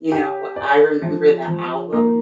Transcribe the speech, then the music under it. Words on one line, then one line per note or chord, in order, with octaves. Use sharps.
You know, I remember that album,
G4
D5
F3
F3
A#3